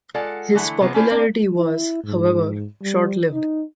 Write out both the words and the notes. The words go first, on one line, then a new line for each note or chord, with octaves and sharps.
His popularity was, however, short-lived.
G#3 F4 A4 D5 F#5
D3 E3 A3 E4 C#5 F#5
C3 G#3 B3 C4 F4
C#4 D4 E4 F4 C5 D5
A#3 C4 D4 D5
E4
G#2
G3
D#4